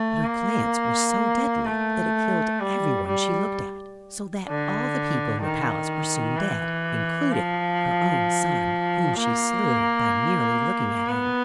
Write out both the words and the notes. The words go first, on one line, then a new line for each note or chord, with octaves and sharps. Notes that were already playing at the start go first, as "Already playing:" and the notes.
But her glance was so deadly, that it killed every one she looked at; so that all the people in the palace were soon dead, including her own son, whom she slew by merely looking at him.
Already playing: A3
A#3
A3
G3
G3
D3
D#3
E3
F3
A#3
B3